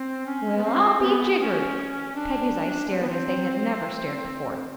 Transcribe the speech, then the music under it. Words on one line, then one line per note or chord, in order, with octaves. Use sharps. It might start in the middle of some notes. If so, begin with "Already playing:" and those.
"Well, I'll be jiggered!" Peggy's eyes stared as they had never stared before.
Already playing: C4
C#4
B3
C4
B3
C#4
D4
C4
B3
C4